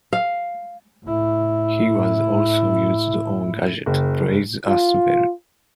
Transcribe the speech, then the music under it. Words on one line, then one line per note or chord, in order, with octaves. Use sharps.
He was also used on gadget plays as well.
F5
A2 E4
F#1
F4